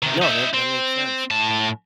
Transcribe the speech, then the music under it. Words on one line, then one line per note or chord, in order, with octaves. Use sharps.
No, that that makes sense, um,
C3 D#3
D#4 E5
C4
A2 A5